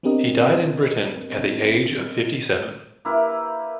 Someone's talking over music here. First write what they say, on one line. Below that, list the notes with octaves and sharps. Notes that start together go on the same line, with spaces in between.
He died in Britain at the age of fifty-seven.
B3 C4 D4 G4 A#4 D#5
A#3 E4 G4 B4